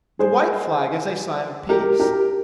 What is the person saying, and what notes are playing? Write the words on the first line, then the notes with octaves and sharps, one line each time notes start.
The white flag is a sign of peace.
G#4 C5
G4 A#4
G4 A#4